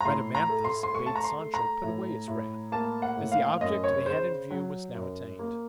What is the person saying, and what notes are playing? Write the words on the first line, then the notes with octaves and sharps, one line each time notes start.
Rhadamanthus bade Sancho put away his wrath, as the object they had in view was now attained.
A#5
A2 C6
A#5
A3
C6
C6
A3 C#6
A5
A#5
C6
A3
A#5
A2
A2
A#3 A5
F#5
A2
F5
F#2 D#5
C#5
C#3 C5
F#3
F#2
A#3